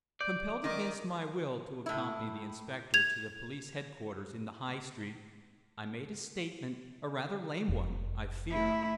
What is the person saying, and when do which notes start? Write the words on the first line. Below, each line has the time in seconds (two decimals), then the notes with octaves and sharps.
Compelled against my will to accompany the inspector to the police head-quarters in the High Street, I made a statement--a rather lame one, I fear.
0.21 D5 G6
0.64 D#3 D#5 D6
1.86 A2 E4
2.94 G#6 F7
7.68 F1
8.51 A3 E4